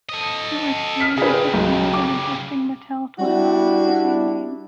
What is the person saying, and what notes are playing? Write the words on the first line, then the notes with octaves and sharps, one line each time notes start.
It was created to promote an existing Mattel toy line of the same name.
A4 D#5
F6 B6
C#3 G3 G#4 B4
B1
D6
G3 D4 E4 F#4